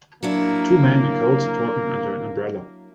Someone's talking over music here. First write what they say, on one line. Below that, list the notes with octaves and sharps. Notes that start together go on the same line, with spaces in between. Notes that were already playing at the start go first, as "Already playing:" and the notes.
Two men in coats are talking under an umbrella.
F#3 A#3 D4 E4